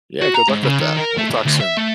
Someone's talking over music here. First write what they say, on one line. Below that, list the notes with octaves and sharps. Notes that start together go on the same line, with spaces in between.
Yeah. Good luck with that. We'll talk soon.
F#4
A#5
G#2
C#3
D#3
A#4
A3
D2
D2
E5
A3